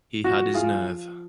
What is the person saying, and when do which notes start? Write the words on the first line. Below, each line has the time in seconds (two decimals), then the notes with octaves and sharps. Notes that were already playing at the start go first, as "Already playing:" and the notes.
He had his nerve.
0.24 F3 F#4
0.54 F4 G#4
0.70 F3